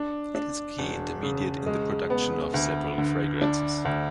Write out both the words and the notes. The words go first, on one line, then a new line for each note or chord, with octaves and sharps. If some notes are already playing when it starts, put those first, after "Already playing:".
It is a key intermediate in the production of several fragrances.
Already playing: D4
D4
E1
C#3
G#3
B3
D2
D3
D4
D2